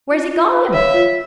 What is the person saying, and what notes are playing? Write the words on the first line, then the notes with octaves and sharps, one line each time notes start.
Where's he gone?
F4
F4
F5
C#5 E5
F4